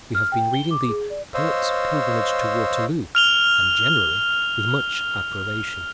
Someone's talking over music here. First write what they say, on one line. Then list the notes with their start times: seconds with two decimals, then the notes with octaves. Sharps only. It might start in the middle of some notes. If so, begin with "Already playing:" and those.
We have been reading the "Poet's Pilgrimage to Waterloo," and generally with much approbation.
0.15 F6
0.32 G5
0.53 G7
0.71 D6
0.88 G#4
1.10 D5
1.34 C5 C#5 D#5 F5 E6
3.15 F6 F7 G7